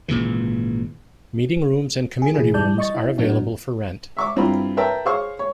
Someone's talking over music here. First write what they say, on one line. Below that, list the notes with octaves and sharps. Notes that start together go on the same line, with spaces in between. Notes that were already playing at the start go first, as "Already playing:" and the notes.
Meeting rooms and community rooms are available for rent.
G#1 A#2 C#3 E3
G#4
B2 D#3 E3 E4 G#4
F2 G3 E4 D5 A5 G6
D#5 C#6 A6
E4
A2 F#3 B3 D4 D#4 F#4
E5 C#6 D6
G2 C4 E4 F4 A#5 B5
A#4 B4 E5 G5 A5 A#5
G#4 C5 C#5 F5 C#6
C#5